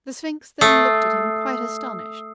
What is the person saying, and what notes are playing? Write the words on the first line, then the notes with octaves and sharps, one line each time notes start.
The Sphinx then looked at him quite astonished.
A3 D#6 E6 C7